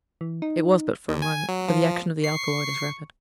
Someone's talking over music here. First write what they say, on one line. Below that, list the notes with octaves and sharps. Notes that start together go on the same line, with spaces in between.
It was but for a moment, for the action of the alkaloid is rapid.
E3
D#4
D#2
G#5
F#3
F3
C#6 C7